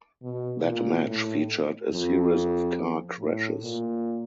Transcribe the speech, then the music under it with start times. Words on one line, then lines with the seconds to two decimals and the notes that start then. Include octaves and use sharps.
That match featured "a series of car crashes".
0.23 B2
0.65 A#2
1.07 A2
1.92 F2
3.19 A2
3.61 A#2